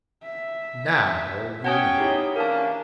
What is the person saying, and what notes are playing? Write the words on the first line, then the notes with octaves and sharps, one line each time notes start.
Now you know.'
E5
C#4 F#5 G5 A5 D#6
D#4 E4 G4 G#4 C#5
E3 A#3 C#4 D4 A#4 A5